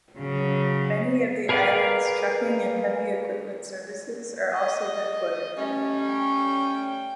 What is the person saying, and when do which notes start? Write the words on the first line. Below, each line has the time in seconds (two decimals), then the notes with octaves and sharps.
Many of the island's trucking and heavy-equipment services are also headquartered there.
0.17 C#3 F#3
1.49 G#4 A#4 B4 D5 F5
4.54 D#5
5.58 G3 A3 C#4
6.08 G5